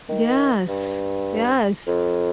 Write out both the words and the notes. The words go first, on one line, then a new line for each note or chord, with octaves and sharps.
Yes. Yes.
D#3
G2
F2